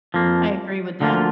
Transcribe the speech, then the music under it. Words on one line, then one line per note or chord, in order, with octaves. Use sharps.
I agree with that.
F2 F3 A#3
D2 D3 F3 A#3 F4